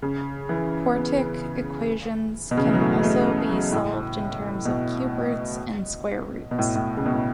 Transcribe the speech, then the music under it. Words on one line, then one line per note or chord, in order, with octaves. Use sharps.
Quartic equations can also be solved in terms of cube roots and square roots.
C#3
E3
B3
B2
C#3
E3
F#3
A3
A3
F#3
A2
B2
B2
A2
A2
C#3
B2
A2